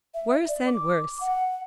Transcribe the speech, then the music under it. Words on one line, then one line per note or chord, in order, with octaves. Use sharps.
"Worse and worse."
E5
D5
D6
F#5